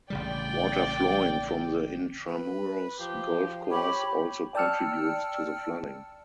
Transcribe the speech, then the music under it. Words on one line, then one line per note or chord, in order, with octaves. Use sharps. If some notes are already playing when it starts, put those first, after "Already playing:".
Water flowing from the Intramuros Golf Course also contributes to the flooding.
A1 C#3 G3 D5 G5
B4
F3 G4
G4 C#5 B5
D5 G5 A5 E6 F6 C#7